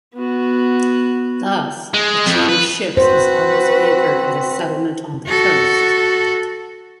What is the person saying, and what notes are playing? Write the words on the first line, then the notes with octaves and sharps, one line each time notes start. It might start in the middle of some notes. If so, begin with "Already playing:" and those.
Thus, a chain of ships is always anchored at a settlement on the coast.
B3 F#4
G#3
F2
B4
C4 F#4 B4 C5
F#4 A4